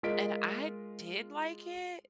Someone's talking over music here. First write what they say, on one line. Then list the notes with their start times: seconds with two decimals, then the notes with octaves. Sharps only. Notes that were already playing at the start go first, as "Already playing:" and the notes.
And I did like it,
0.03 G#3 F4 A#4 D#5 B6 D7